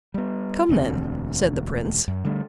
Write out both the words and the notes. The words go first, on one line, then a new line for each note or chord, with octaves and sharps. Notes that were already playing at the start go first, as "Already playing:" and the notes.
"Come, then," said the prince.
G3 B3
E1 D2 B3 C4
F#2
D3 G3 A3 D4